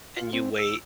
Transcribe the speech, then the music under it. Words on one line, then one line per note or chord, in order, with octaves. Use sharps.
And you wait.
F4
C4
E6